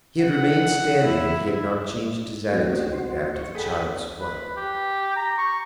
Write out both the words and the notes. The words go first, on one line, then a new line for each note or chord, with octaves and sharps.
He had remained standing and had not changed his attitude after the child's flight.
F#5
E4
F#3 A3 C4 F#4 A#4
C4 C#4 D#4 F#4 G4
F#4 C5
C#6
G#4 A4 F#5 G5 B5 D#6
B4
G4
A#5
C#6